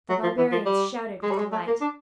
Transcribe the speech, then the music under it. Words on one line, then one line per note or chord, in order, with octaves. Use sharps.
The barbarians shouted with delight.
F#3
F3
E3
F3
G3
G#3
G3
G#3
A3
A#3
D4